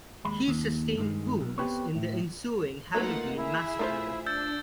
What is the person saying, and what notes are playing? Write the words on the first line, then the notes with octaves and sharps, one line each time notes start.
He sustained wounds in the ensuing Halloween Massacre.
D#2 G#3 B5
D#2
G2 D#3 G#3
B1
B3 C4 D#4 G4 B4 C#5
A2
A3 A#3 D#4 F4 B4 F#5
E4 G#4 E5
A3 F4 C5
D4 E6 G6 A6